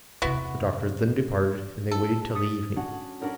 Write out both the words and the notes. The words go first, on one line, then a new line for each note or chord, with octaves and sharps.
The doctor then departed, and they waited till the evening.
E2 C3 B3 E4 F#4
A4
D#6 A6 B6 C#7
C#4 D4 F#4 F#5
C#4 D4 F#4 A#4 C#5